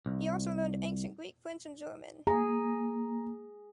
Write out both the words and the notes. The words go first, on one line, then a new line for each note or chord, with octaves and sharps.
He also learned ancient Greek, French and German.
C2
A#3 G#4 A#5